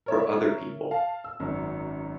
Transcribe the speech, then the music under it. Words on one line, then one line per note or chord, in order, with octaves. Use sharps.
for other people,
A#4 C#5 E5
F5 A5
E6
G#1 F#2